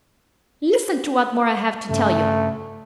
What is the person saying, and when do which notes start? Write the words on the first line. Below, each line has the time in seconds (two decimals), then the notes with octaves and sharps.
Listen to what more I have to tell you.
1.89 G2 C#3 G3 A3